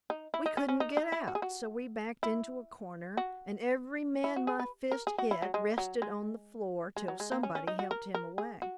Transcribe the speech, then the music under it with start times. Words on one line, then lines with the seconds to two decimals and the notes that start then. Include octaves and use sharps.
We couldn't get out, so we backed into a corner; and every man my fist hit rested on the floor till somebody helped him away.
0.10 D#4
0.34 E4
0.46 D#4
0.57 C#4
0.69 C#4
0.80 D#4
0.97 D#4
1.12 E4
1.28 F#4
1.35 G#4
1.42 F#4
2.23 E4
3.17 F#4
4.24 E4
4.36 F#4
4.47 G#4
4.59 B4
4.92 A#4
5.07 G#4
5.18 F#4
5.31 E4
5.42 F#3
5.54 G#3
5.78 F#3
6.02 G#3
6.96 G#3
7.08 F#3
7.20 G#3
7.32 A#3
7.43 C#4
7.55 C#4
7.67 D#4
7.79 F#4
7.91 A#4
8.14 A#4
8.38 G#4
8.62 F#4